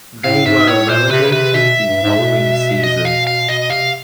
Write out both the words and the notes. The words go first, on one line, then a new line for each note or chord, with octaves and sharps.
They were relegated the following season.
A2 F5
G#2 E5
A2 C#5
A#2 C5
C3 B4
C#3
C3 B4
B2 E5
G2
G#2
B2
D#5
F5
F5
B2 D#5
C3 F5